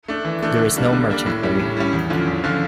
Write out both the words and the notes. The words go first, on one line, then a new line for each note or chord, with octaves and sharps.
There is no merchant marine.
A3 D4
E3
A3 D4
D3
G3 A#3 D4
D3
G3 A#3 D4
A2
G3 C#4
A2
G3 C#4
E2
D3 F3 C#4 F4
E2
D3 F3 C#4 F4